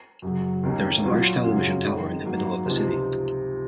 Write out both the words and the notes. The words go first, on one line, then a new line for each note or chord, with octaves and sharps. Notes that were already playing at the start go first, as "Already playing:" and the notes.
There is a large television tower in the middle of the city.
F#2 C#3 F#3
D#2 D#3 A#3 C#4
A#2 F#3 C#4 F4
F#2 C#3 F#3 C#4 F4
F#2 D#3 G#3
G#2 F#3 A#3
C#2 C3 F3 C4 D#4